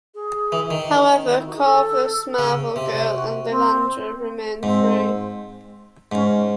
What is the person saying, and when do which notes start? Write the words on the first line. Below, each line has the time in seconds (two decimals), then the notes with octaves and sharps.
However, Korvus, Marvel Girl and Lilandra remain free.
0.15 G#4
0.52 E3
0.71 D#3
1.29 D#4
1.38 E4
1.47 F#4
1.55 G#4
1.64 A4
2.39 C#3
2.76 C3
3.13 F#4
3.50 C4
4.63 G#2 C4
6.12 G#2 C#4